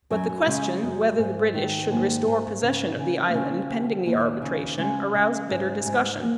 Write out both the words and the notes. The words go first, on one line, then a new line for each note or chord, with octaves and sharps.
But the question, whether the British should restore possession of the island pending the arbitration, aroused bitter discussion.
F#2 F#3
F#3
C#3 G#3
F#2
G#2
D#3
G#2 A#3
G#2
C#3
C#3
A#3
C#3 C4
D#2
D#2
C#3
C#3 G#3
C#3
G#2
G#2
A#3